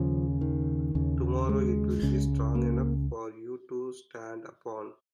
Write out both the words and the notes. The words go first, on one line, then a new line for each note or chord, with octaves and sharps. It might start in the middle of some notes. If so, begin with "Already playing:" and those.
Tomorrow it will be strong enough for you to stand upon.
Already playing: D#2 C#3 F3
D#3
D#2 C#3
G#3
C#2 C#3
A#3